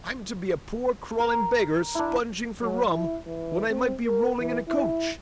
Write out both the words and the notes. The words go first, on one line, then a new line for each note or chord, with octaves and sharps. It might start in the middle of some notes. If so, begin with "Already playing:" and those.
I'm to be a poor, crawling beggar, sponging for rum, when I might be rolling in a coach!
A#4
D4 E4
F#3
E4
E3
C4
A#4
E3
E4